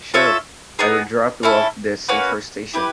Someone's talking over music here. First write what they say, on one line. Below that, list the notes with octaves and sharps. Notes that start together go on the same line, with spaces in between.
Sure, I'll drop you off at the central station.
F4 A4 C#5 E5
B3 D#4 G#4
C#4 E4 A4
A#3 C#4 F#4 B4
E4 G4 B4